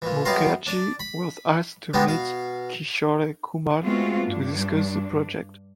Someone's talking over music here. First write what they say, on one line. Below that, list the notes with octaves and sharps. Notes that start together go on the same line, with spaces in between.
Mukherjee was asked to meet Kishore Kumar to discuss the project.
A#2 E3
F#2 G3 B3 F5 A#5 C6
D4 D5
B5
G3 G#3 B3 D4 D#4 G4
B2 F5
G#3 A3 B3 C4 F4 F#4
G2 D4